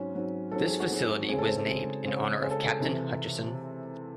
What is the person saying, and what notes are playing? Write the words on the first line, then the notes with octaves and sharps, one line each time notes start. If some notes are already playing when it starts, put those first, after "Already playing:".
This facility was named in honour of Captain Hutcheson.
Already playing: G#2 F#3 C4 C#4
G#2 F#3 C4
G#2 F#3 C4 A4
G#4
F#4
G#2 F#3 C4 G#4
C#3 G#3 C4 G#4
A4
C5
A4
C#3 G#3 C4
C#3 G#3 C4
C#3 G#3 C4 C5
A4
G#4
A4
C3 E3 C4